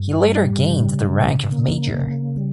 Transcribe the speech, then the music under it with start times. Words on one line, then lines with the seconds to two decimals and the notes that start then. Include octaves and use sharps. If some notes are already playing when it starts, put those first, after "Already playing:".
He later gained the rank of Major.
Already playing: G2
0.25 G3
0.68 C#3
1.09 C#3
1.52 A#3
1.94 C#3
2.36 G3